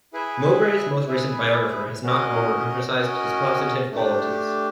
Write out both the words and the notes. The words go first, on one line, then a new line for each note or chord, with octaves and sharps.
Mowbray's most recent biographer has not overemphasised his positive qualities.
E4 G#4 B4 E5
E4 G#4 B4 E5
C#4 F#4 A#4 D#5
C#4 F#4 A#4 D#5
A3 D4 G4